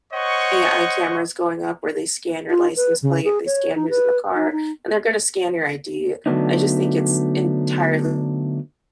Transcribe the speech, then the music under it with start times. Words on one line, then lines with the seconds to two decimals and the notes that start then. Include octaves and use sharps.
AI cameras going up where they scan your license plate, they scan who's in the car, and they're gonna scan your ID. I just think it's entirely
0.13 C5 C#5 D#5 F#5 C#6
2.50 F4
2.76 B4
3.02 C#3
3.24 G#4
3.46 C#5
3.75 D#4
3.89 B4
4.35 D#4
4.52 D#4
6.26 D3 F#3 A3 B3 D4 D#4